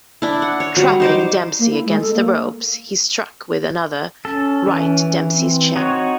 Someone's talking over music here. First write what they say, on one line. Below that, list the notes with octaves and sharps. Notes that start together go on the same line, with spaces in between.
Trapping Dempsey against the ropes, he struck with another right to Dempsey's chin.
D4 E4
F#5
C#5
F#3 G3 A#5
D#4 C5 D6
A#3
E4
G#3
A4
A#3
C#4 A4
E3
C4
D#4 F#4 C#5